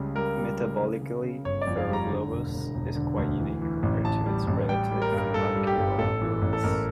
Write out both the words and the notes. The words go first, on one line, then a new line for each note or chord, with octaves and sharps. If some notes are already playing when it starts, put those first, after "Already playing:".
Metabolically, "Ferroglobus" is quite unique compared to its relative "Archaeoglobus".
Already playing: C#2 C#3 G3
G3 A#4
G3
C#3
C#3
C#3
C#3
G1 C#5
D5
F2
F5
G3 A#5
D3
E1
E1
E1
D3
D2
E3
E3
A1
A1 A5
G3
A1
G3 G5
G3
A#4
G2
A#4
G2 A4
G3
G4
G1
A1 A4
E3
A1
A4
A1 A#4